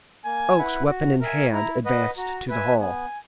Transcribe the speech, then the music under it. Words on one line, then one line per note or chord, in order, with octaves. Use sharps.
Oakes, weapon in hand, advanced to the hall.
A#3 G#5
E4 B4 F#5
F#4
A#4 E5 G#5
E4 A#5
B4 D#5 F#5
F#4 A#5
B4 E5 G#5
B3 G#5